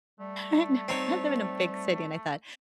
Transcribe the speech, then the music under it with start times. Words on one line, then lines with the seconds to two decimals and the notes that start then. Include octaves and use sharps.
No, I live in a big city, and I thought,
0.20 G3 A3
0.88 C4 D#4 C#5